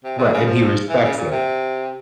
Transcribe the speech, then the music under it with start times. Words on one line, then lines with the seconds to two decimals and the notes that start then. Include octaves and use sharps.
Right, and he respects it.
0.04 C3
0.18 A#2
0.32 C#3
0.47 F3
0.89 E3
1.03 C#3
1.17 A#2
1.31 C3